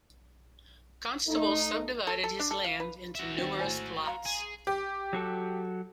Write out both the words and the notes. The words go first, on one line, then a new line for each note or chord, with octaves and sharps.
Constable subdivided his land into numerous plots.
A3 D#4
A4
A4
D4
A4
F5
B4
F#4 E5
D#3 C4
A2 C5 G#5
F5 A#5 C6
G#4
G4
F#3 F#4 A4